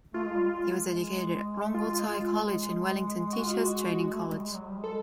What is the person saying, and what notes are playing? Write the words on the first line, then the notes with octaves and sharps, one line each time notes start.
He was educated at Rongotai College and Wellington Teacher's Training College.
A3 F4
G#3
G3
G#3
G#3
F4
F#4
F4
F#4
A3
G#3
G3
G#3
F#3
G3
G#3 A4